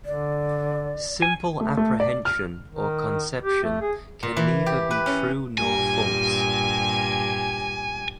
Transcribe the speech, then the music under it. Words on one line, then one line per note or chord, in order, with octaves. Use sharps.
Simple apprehension or conception can neither be true nor false.
D3 D5
G#5
A3
A3
D5
F6
D#3
G4
A3
G#4
A#2
E3
G4
B4
C#4
G2 A#2 G4 G#5